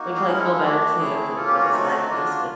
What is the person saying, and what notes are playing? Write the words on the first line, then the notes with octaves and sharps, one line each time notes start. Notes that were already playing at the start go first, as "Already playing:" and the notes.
that would probably feel better, too, if it if it was that case. But,
Already playing: A#3 D#4 F#4
G#4
G#3 C#4 E4 A#4
A4
A4
A3 D4 F#4 G4
F#4
G4
A3 C4 E4 G#4
A#3 C#4 F4 A4
G4
F#4
F#3 A3 C4 D#4
A#3 D4 F4